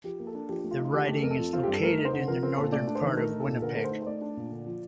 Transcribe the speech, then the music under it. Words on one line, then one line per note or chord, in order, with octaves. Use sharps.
The riding is located in the northern part of Winnipeg.
F3 G4
A#3
A4
D4
F3 G4
A3
F4
D#4
F4
D#3 G4
A3
A4
F2 A#4
A4
F3
C4 F4
G2 G4
A4
A3 A#4
D#4
C5
D3
F3 A#4
C4 A#4
A#2 A4
A3 D5
D4
C5
D#3
A3 A#4
D#4
A4
A#2
D3 A#4
A3 A#4
C5
D#4
C5
A3 D5
D4
A#2
D3
F3